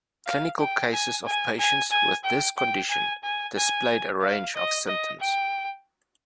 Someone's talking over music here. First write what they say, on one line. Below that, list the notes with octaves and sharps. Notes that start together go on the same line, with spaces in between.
Clinical cases of patients with this condition displayed a range of symptoms.
F5
G5
G#5
G#5
G#5
G#5
G5
G5
G#5
G#5
G#5
F5
D#5
D#5
G5